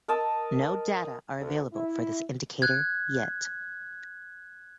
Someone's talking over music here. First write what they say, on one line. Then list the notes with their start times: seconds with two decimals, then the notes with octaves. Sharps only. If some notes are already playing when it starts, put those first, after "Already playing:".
No data are available for this indicator yet.
0.08 A#4 D#5 A5 E6
1.39 D2
1.74 E4
2.62 F#6 G#6